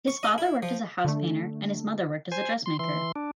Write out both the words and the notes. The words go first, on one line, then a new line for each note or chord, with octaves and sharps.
His father worked as a house painter, and his mother worked as a dressmaker.
C#6
D#5
E4
F3
D3 A3
C5 G#5
C6
E3 C6
D4